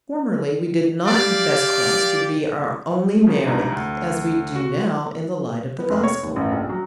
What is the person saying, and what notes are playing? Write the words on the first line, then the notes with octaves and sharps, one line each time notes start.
Formerly we did not confess Christ to be our only merit, as we do now in the light of the Gospel.
G4 D5 F5
C#3 F3 F#3
C2 G#2 D4 A#5
D2
F#4
B3
F1
C#5
D#2
A1
A#1
F#3